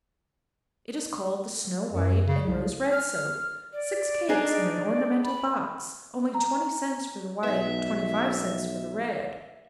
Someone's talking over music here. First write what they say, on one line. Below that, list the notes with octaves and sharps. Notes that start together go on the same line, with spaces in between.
It is called the Snow-White and Rose-Red Soap, six cakes in an ornamental box, only twenty cents for the white, twenty-five cents for the red.
F#2
C#3
C2
F6
D5
D4 D#4 G#4
B5
A#5
B1 B3 D#4 E5